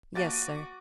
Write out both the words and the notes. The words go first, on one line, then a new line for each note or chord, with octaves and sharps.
"Yes, sir."
F3 A#3 F#4 F#5 D6 A6 D7 D#7